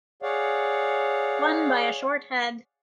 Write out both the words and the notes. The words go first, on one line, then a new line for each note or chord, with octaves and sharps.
Won by a short head.
G#4 C#5 D5 F5 F#5